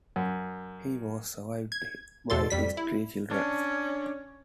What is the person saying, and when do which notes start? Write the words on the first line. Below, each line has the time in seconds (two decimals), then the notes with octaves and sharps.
He was survived by his three children.
0.16 F#2
1.72 G#6
2.30 E2 B2 A4 C6 A6
2.50 F2 G3 B6
2.77 E4
3.31 C#4 D4